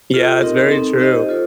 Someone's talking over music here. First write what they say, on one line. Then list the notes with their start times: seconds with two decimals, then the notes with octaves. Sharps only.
Yeah, it's very true.
0.14 F4 A4 D#5
0.41 C4 D#4 G4 A#4 D#5
0.71 C4 D#4 A4
1.00 D#4 G4 C5 D#5
1.29 F4 A4 C5